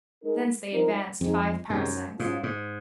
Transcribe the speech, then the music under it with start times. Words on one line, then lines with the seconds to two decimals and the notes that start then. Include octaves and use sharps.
Thence they advanced five parasangs.
0.23 G#3 D#4 A#4
0.71 F3 C4 D#4 A#4
1.20 F2 G#3 C4 D#4 G#4
1.69 F#2 C3 D#3 G#3 C4 D#4
2.19 G#2 F#3 C#4 F4
2.43 G#2